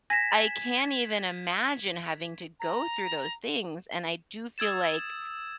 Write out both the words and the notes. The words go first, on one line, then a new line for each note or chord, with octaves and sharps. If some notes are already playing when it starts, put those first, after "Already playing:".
I can't even imagine having to go through those things, and I do feel like
G#5 G#6 A#6 B6 E7
A#5
D#6 E6 G#6 A6 E7